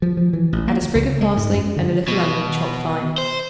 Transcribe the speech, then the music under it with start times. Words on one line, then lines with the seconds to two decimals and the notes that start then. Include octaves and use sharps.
Add a sprig of parsley and a little onion chopped fine.
0.02 F3
0.17 F3
0.33 E3
0.53 A1
0.68 A#3
0.81 D2
0.95 C#2
1.21 G#3
1.37 G#2
1.54 F#2
1.76 D3
2.08 B2
3.18 C5